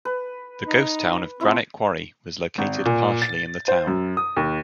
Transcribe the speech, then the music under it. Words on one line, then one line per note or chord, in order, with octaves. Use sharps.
The ghost town of Granite Quarry was located partially in the town.
B4
D#4
C4 E4 F4 A5
G#1
A#2
A6
C5
F#2
D#6
D#2